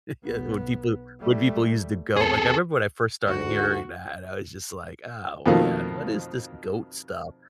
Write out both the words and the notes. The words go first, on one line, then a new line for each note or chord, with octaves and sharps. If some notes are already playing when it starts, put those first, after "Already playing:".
Yeah, when people when people use the GOAT, like I remember when I first started hearing that, I was just like, "Oh, man. What is this GOAT stuff?"
B1 B3
G3 A3
E2 C4 G#4 A4
D2 G#2 F#4
F2 B2 D#3 F3 A3 A#3